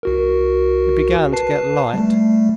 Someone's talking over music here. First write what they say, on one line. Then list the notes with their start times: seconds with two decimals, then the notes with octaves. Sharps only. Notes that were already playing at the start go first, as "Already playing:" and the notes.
It began to get light.
0.03 C2 F#4 A#4
1.33 B4 A5 C7
1.94 G3 A3